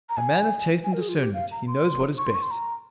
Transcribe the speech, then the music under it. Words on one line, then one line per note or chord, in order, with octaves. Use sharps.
A man of taste and discernment, he knows what is best.
A#5
G#5
G#5
A#4
G#4
F4
G4
F5
A#5
C6
C#6
C6
C#6
C6
A#5